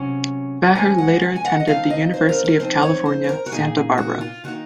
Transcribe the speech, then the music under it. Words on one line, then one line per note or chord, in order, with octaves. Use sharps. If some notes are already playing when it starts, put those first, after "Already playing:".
Bahar later attended the University of California, Santa Barbara.
Already playing: C3 F#3 C#4
F3 G#3 C#4 G#5
F#5
F#5
G#5
F#5
D#5
F3 C4 D#4 F5
D#5
C5
A#4
A#4
F3 C4 D#4 C5
C#5
C5
C5
A#4
F#4
A#2 F3 A#3 D#4 G#4
F#4
F4
D#3 A#3 D#4 F#4